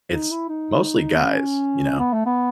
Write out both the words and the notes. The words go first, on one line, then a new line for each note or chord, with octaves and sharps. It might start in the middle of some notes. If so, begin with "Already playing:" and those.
it's mostly guys, you know,
D#4
E4
D#4
B3
C#4
B3
A3
B3